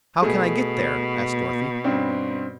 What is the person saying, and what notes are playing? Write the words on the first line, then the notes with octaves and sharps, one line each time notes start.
"How can I get there?" asked Dorothy.
B2 A3 G#4
G2 C4 C#4